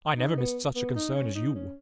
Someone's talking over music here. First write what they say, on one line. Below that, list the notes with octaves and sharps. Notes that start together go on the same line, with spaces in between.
"I never missed such a concern as you."
D#4
B3
B3
D#4
C#4
D#4
C#4